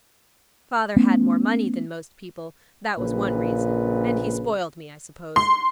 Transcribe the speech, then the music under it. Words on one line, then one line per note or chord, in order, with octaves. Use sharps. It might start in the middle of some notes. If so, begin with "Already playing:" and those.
Father had more money than most people; that was one reason; and he spoiled me, I suppose.
A3 B3 C#4
A#1 A#2 C#3 B4
C6